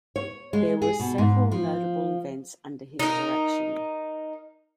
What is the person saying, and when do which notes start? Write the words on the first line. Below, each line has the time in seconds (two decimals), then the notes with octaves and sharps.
There were several notable events under his direction.
0.16 C#5
0.53 G#3
0.82 G#4
0.99 B2
1.18 G#2
1.51 F3
2.99 D#4 A#4